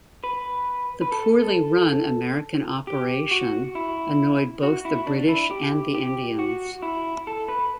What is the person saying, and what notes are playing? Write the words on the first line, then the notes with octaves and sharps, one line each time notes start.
The poorly run American operation annoyed both the British and the Indians.
B4
B4
A4
G4
F#4
E4
F#4
E4
D4
E4
G4
G4
F#4
E4
A4
B4